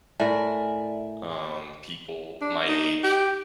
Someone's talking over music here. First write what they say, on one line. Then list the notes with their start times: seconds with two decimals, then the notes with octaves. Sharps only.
um, people my age,
0.20 A2 A#4 D5 E5 G#5
2.41 D4
2.68 D#4
3.03 G4